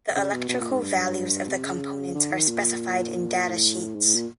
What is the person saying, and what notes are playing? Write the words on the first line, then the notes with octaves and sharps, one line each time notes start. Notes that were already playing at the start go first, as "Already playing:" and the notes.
The electrical values of the components are specified in data sheets.
C#3
B2
B2
A#2
G#2
G2
C3
C#3
D3
D#3
A#2
A2
G#2
A2
A#2